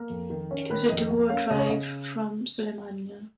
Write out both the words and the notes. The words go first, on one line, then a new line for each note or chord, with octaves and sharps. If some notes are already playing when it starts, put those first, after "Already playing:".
It is a two-hour drive from Sulaimaniyah.
Already playing: A#3 A#4
F2
D#3
C#4
D#3 B4
F2 D#5
A#3
C#4 F5
C#3 D#5
C#5
C#3 D#5